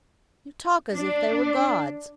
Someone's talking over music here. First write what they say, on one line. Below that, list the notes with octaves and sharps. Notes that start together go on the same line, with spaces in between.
You talk as if they were gods.'
D4